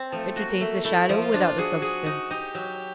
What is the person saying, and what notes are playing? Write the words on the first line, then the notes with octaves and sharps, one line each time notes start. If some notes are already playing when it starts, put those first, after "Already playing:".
It retains the shadow without the substance.
Already playing: C4
F3 A3
F#4
A#3
A3
A3 E4
F3
F4
D4
F#4 G#4
G#4
D#4
D#4 G4
F#3